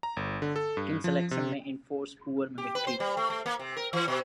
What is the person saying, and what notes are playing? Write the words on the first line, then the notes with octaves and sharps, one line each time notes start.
Kin selection may enforce poor mimicry.
A#5
G1
D3
A4
G2
F3
C3
G4
B4
C5
G3
A3
A3
A#3
C3
A#4
E3
B2